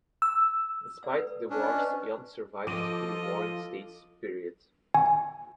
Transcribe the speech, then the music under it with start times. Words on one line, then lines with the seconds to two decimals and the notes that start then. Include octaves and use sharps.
Despite the wars, Yan survived through the Warring States period.
0.22 E6
1.03 D5 E6
1.16 A4 B4
1.50 C#4 D4
1.64 D#5
1.78 B4 C5
2.67 F3 F4 A4 D#5 D6 D#7
4.94 G#5